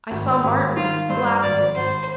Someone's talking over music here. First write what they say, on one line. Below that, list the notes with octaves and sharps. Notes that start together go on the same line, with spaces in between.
I saw Martin--blasted.
G#1
G#1
D#3 F4
G2 C5
G#1 D5
G#1 C5